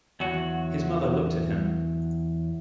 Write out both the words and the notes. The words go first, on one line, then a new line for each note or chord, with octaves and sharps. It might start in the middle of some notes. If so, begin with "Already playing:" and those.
His mother looked at him.
E2 F#3 F#4